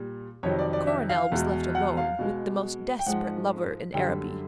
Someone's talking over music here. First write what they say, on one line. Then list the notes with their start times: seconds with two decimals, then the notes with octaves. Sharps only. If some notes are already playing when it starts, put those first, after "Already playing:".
Coronel was left alone with the most desperate lover in Araby.
Already playing: A#2 G3
0.43 F2 C3 D#3 F#3 C#5
0.59 D5
0.73 D5
0.87 E5
1.09 F5
1.32 E2 B2 G#3
1.75 F#5
1.97 F5
2.19 B2 G#3
2.99 G5
3.06 G#2 F3 G#3 F#5
3.94 F#2 D3 G3 G5